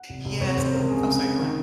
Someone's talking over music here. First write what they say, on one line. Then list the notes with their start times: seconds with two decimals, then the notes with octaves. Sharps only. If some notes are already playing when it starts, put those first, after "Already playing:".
Yes Oh, sorry. Go on.
Already playing: F#5
0.09 F1
0.25 F1
0.40 F2 C#5
0.57 F2 C5
0.73 C#2 A#4
0.89 C#2 G#4
1.06 C#3
1.22 C#3
1.39 D#3